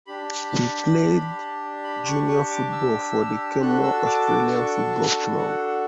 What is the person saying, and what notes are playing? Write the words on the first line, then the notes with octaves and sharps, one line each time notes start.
He played junior football for the Kenmore Australian Football Club.
D4 G4 B5
B5
C#6
C#6
D6
E6
D4 F#4 A4 F#6
E6
D6
D6
C#6
F#5
F#5